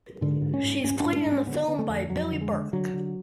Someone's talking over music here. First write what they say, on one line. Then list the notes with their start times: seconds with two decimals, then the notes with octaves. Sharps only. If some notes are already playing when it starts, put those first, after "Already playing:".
She is played in the film by Billie Burke.
0.21 G#2 D3
0.42 G#2
0.54 C#4
0.64 G#2
0.84 G#2 C#4
1.00 D4
1.05 G#2
1.16 D4
1.26 G#2
1.32 C#4
1.47 D3 B3
1.68 D3 B3
1.79 A3
1.89 F2
2.10 F2 F#3
2.31 D3
2.41 G#3
2.52 D3
2.73 D3 F#3
2.94 D3